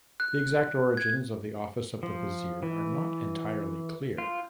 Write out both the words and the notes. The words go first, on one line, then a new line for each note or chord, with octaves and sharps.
The exact origins of the office of vizier are not entirely clear.
F#6
G#6
F3
E3
F4